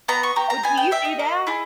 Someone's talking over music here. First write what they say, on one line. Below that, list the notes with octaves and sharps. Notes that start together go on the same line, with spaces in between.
Oh, do you do that?
B3 A#5
C#6
G4 A#5
A#5
B3 G#5
G5
G4 E5
D#5
A#3
E4 G#4